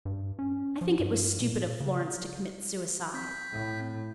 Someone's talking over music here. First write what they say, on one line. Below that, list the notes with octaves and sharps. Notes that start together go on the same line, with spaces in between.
"I think it was stupid of Florence to commit suicide."
G2
C#4
F3
G2
A#2
C#3
C4 G6 B6
A2